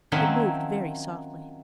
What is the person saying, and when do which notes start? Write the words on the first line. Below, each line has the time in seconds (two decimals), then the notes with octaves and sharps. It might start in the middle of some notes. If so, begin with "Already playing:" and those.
It moved very softly.
0.12 D#3 F3 F#3 C4 C#4 E4